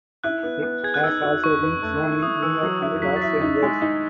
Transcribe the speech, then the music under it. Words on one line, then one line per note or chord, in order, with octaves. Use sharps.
It has also been shown in New York and Los Angeles.
E4 F#6
B3
B3
G#4 G#6
F#6
D#4 E6
F#4
D#4 C#6
B4
A3
E4
E4 D#6
E3 E6
F#3
E4
F#3 B6
A6
E4 B6
D#4
G#3
D#4